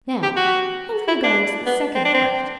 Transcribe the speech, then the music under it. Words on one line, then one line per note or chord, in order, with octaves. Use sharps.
"Now as regards the second question."
G4
F#4
E4
D4
B3
C4
D4
C4